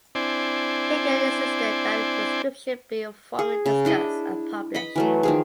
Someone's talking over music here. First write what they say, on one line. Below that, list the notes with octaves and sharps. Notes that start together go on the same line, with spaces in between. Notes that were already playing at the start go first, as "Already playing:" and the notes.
He again insisted that the inscription be formally discussed and published.
C4 D4 E4 C5 D5 G#5
G#4
C#3
D4 E4 D#5
D#5 B5
E3 F#3 A3
D#3 F3 G#4